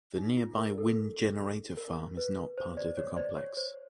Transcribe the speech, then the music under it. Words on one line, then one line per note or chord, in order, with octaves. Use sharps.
The nearby wind generator farm is not part of the complex.
D#4
F4
A#4
A4
A#4
B4
C5
C5 D5
C#5
C5 D5
C#5
C5